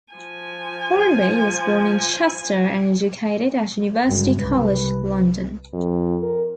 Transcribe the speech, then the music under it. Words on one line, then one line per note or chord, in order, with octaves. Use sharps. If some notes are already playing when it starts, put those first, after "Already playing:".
Hornby was born in Chester and educated at University College London.
F3 G#5
G1 F#2 C#3 G#3
C2 B4
F2
A#4